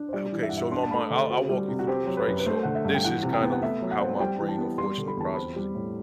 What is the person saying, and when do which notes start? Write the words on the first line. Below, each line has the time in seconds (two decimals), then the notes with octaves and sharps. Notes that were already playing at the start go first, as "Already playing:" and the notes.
okay, so in my mind, I I'll walk you through this, right? So this is kind of how my brain unfortunately processes it.
Already playing: D4
0.09 C5
0.13 G3 D5
0.32 E3
0.43 E5
0.49 F#5
0.52 G2
0.57 E5
0.72 D4 C6
0.83 A5
0.91 A3 B5
1.10 D3 D5
1.29 C4 F#4
1.49 G3
1.68 C3
1.79 F#4
1.87 C4 G4
2.06 F#3
2.17 B4
2.27 F#2
2.39 B4
2.46 A3 C5
2.63 D3 F#5
2.75 E5
2.84 G2
2.94 G5
3.04 E3 F#5
3.23 C3
3.33 G5
3.42 B3
3.52 F#5
3.62 A3 E5
3.82 F#3
3.91 F#5
4.00 C4
4.20 G3 G5
4.40 E3
4.49 A5
4.58 B3
4.78 G3 C6
4.98 D3
5.08 B5
5.17 E2 A5
5.34 C4 B5
5.56 G3
5.75 A2